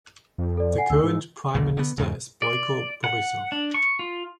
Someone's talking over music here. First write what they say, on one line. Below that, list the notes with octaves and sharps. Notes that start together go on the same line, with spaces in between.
The current Prime Minister is Boyko Borisov.
F2
A4 D5
F#5 G#5 C7
D2 D#4 E6
G#2
A#1 D#2 B2
D3 B3
E2 G#2 C#3
D5
F#5
D4
C#6
F4